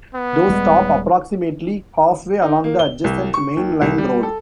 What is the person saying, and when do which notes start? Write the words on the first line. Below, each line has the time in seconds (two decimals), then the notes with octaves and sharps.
Those stop approximately halfway along the adjacent main-line road.
0.15 B3
0.48 D#1 G3 G#3
2.42 D#4
2.64 A#3
2.79 G7
3.04 C2
3.34 C#6
3.57 D#2
3.82 C2
3.98 G3
4.23 A4